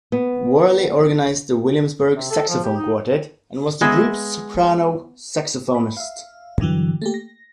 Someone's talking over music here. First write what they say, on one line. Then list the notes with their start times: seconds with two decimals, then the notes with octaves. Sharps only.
Worley organized the Williamsburg Saxophone Quartet and was the group's soprano saxophonist.
0.12 B3
2.16 C3
2.31 A4
2.48 F3
2.64 G4
2.77 D#4
3.81 G#3 B3 D#5 E5 G#5
5.75 B5
5.97 E5 F5
6.60 G2 D3 E3 F#3
7.02 A3 A#3 G4
7.14 A#6